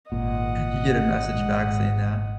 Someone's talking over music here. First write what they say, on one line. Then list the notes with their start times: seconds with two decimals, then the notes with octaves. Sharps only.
you get a message back saying that.
0.12 G#1 A#2 D#5 F#5
1.31 G#2